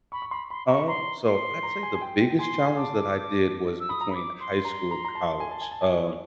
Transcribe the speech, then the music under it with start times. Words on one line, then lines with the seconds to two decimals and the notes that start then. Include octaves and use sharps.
Um, so, I'd say the biggest challenge that I did was between high school and college. Um,
0.12 B5 C#6
0.22 C#6
0.31 B5 C6
0.50 B5 C6
0.69 A#5 C#6
0.79 B5
0.88 A#5 C6
1.25 C6
1.63 A#5
1.83 G#5
1.95 G#5
2.01 G5
2.19 G5
2.30 G5
2.39 G#5 C6
2.65 G#5
2.76 A5 D6
3.80 E6
3.89 B5 D#6
4.01 A#5
4.11 B5 D6
4.40 C6
4.65 A#5
4.91 A#5
5.05 A#5
5.15 A5
5.40 G#5
5.51 A5
5.61 G#5
5.71 A5
5.81 G#5